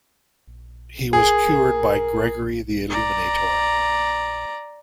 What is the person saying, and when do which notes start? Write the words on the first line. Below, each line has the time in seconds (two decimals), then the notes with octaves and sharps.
He was cured by Gregory the Illuminator.
1.13 G#4 A#4
2.90 D5 A#5